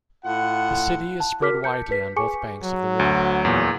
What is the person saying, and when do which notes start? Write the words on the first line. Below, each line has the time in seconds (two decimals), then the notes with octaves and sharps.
The city is spread widely on both banks of the river.
0.25 A2 F4 F#5
1.20 A5
1.41 F#4 A#4 D6 F6 B6
1.64 A5 G6 C#7
1.91 B4 B6
2.16 G#4 G#5 C#6 D6 C#7
2.63 F#3
2.99 D2
3.45 E2 A#2